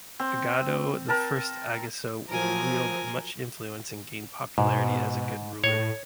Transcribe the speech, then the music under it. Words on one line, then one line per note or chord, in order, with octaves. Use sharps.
Igodo, the first Ogiso, wielded much influence and gained popularity as a good ruler.
C4
A#4 G5 A5
F3 F#3 A#4 G#5
G#2 B2
A2 C#5